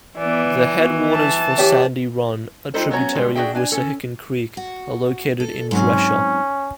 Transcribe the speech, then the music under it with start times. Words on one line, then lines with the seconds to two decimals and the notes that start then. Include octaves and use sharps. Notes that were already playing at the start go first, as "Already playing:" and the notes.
The headwaters for Sandy Run, a tributary of Wissahickon Creek are located in Dresher.
0.18 E3 B3 D5
0.75 B3 F#4
1.10 A5
1.58 G4 C#5
2.74 G3 D#4 F4 A4 C5
2.90 F#3 B3 C#4 F#4 C#5 A#5
3.15 D3 G3 G#3
3.35 D4 E4 F#4 G#4 E5 G5
3.55 D4 G#5
3.72 C#4 A4
4.57 F#4
5.40 A4
5.71 G#2 F#3 C4 C#4